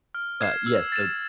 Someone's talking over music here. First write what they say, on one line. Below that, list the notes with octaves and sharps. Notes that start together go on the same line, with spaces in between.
but yeah, so
F6
G#6 C7 E7
E6
A6 C7 E7